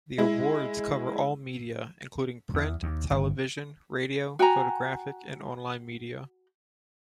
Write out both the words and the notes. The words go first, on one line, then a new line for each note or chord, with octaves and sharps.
The awards cover all media including print, television, radio, photographic and online media.
G#3 E4
E2
D#2
G1
F#4 G5 G#5 A#5